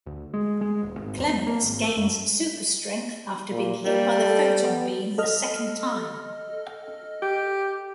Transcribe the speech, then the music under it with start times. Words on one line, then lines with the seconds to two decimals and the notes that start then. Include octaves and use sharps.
Clements gains super-strength after being hit by the photon beam a second time.
0.06 D2
0.34 G#3
0.61 G#3
0.83 D#1
0.98 G#1
1.18 E2
1.47 A#3
1.63 G#1
1.84 A3
1.97 F#2
3.51 A#2
3.84 G3 A#3
4.18 A4
4.61 B3
5.18 A4 D#5 F6
7.22 G4